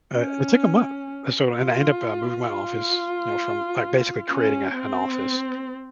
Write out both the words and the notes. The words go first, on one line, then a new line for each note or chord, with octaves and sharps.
uh, it took a month, so and I end I end up moving my office, you know, from, like, basically creating a an office,
C#4
F4
F4
C#4
C4